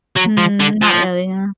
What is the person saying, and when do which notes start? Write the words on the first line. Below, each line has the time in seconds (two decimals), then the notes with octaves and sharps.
Mm, not really, yeah.
0.16 F#3
0.37 F3
0.60 D3
0.82 F3